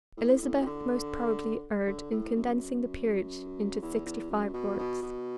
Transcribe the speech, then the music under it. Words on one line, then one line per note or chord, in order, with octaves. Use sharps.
Elizabeth most probably erred in condensing the peerage into sixty-five lords.
A2
A2
B2
D3
D3
A2
F#2
E2
E2
F#2
B2
B2
B2